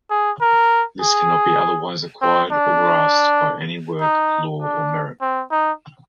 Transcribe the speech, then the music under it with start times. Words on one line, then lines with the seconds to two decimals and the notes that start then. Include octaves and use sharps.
This cannot be otherwise acquired or grasped by any work, law, or merit.
0.10 G#4
0.41 A#4
1.01 G#4
2.22 C4
2.52 D4
4.01 D#4
4.62 D4
5.21 C4
5.51 D#4